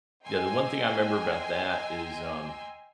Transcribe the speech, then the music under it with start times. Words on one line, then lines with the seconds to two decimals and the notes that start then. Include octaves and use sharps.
yeah, the one thing I remember about that is, um,
0.25 D#5 G5 G#5 A#5 C6 E6